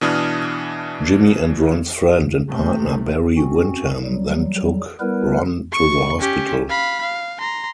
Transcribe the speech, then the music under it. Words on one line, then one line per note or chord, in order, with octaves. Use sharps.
Jimmy and Ron's friend and partner Barry Windham then took Ron to the hospital.
B2 E3 D4 D#6 F6
C3 A3
C4 C#4 F#4
F#3 G3
G3 B3 E4 A#4 B4
C#6
C#4 G4
F5 B5
F5
A#5 C6